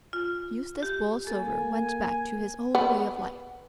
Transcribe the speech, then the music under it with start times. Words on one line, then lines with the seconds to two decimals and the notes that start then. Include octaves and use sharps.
Eustace Borlsover went back to his old way of life.
0.13 F4
0.83 G4
1.27 A#3 A4 G#5
2.75 B3